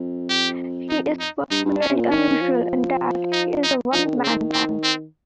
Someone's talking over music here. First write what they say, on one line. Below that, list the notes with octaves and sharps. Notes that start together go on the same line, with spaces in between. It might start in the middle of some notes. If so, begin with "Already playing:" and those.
He is particularly unusual in that he is a one-man band.
Already playing: F2
G4
D#4
D#4
G2 D#4
G2
C#4
C3
A#2
D#3 C#4
F3
D#4
D#4
F3 D#4
D#3
C#3
C4
D#3
C4
C4